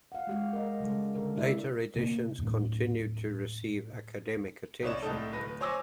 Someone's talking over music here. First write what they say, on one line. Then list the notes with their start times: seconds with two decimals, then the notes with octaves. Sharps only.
Later editions continued to receive academic attention.
0.12 F5 F#5
0.27 G#3 G4 F5
0.53 A#4 D#5
0.80 C#3 G3 G#3 A4
1.15 D3 A4 A#4
1.36 C3 B3 E4 D5 E5
1.96 C3 A#3
2.38 D#2 A2
4.82 C2 D#4 C#5 D5 E7
5.02 C2 A2 D#4 A4
5.32 D1 B4 A#6
5.61 C5 C#5 G#5 D6 E6 A#6